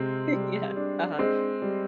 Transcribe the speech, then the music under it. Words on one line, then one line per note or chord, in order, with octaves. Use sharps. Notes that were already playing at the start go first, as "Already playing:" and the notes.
yeah, uh-huh.
Already playing: C3 G#3 C4
G3
D4
G#3 C4 C5
G3